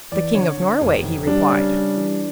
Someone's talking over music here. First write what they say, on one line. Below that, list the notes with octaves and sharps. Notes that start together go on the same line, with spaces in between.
'The King of Norway,' he replied.
E2 D5
D3 C#5
D3
F1
F1
G3 D4
C#3
G3
E3